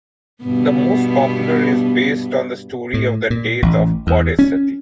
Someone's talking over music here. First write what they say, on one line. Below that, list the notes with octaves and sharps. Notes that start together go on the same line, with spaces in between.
The most popular is based on the story of the death of goddess Sati.
G2 B2 B3
A2
A#2
A1
E2
C#4